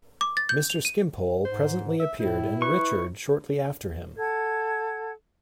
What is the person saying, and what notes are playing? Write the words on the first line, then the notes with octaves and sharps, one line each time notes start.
Mr. Skimpole presently appeared, and Richard shortly after him.
D6
A6
G6
F7
D#7
G#2 C5
E5
A2 E4
B4 C#6
A4 F#5 G#6